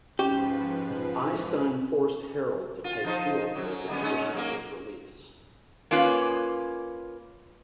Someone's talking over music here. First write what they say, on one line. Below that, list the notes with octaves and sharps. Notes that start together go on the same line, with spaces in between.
Eystein forced Harald to pay fealty as a condition of his release.
G#2 F3 C#4 G4 B4
F4
F3 D#4 C5
F#2 F#3
G3 B3 C#4
G#3 C#4 D#4
F#3 A#3 A#4
A#3 C#4 F4 B4